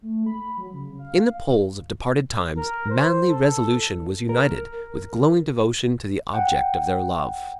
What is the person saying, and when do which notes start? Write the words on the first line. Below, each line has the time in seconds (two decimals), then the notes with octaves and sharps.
In the Poles of departed times manly resolution was united with glowing devotion to the object of their love.
0.02 A3
0.26 B5
0.57 F#3
0.73 C#3
0.99 F5
1.23 F5
2.57 A#4
2.90 C5
3.29 A4
4.29 A#4
6.34 F#5 G5